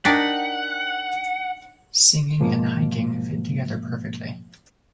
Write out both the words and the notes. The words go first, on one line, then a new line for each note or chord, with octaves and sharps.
Singing and hiking fit together perfectly.
D4 D#4 A#4 D5 F#5 G5 B6
G#2 B2 F3 G#3 A#3